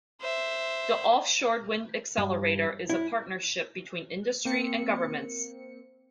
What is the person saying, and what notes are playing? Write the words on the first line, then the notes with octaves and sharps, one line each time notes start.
The Offshore Wind Accelerator is a partnership between industry and governments.
C5 E5
G2
E4
A#3 C4 C#7